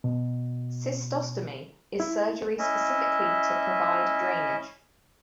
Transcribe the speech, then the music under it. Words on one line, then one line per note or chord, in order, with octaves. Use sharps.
"Cystostomy" is surgery specifically to provide drainage.
B2
E4
C#4 E4 D#5 E5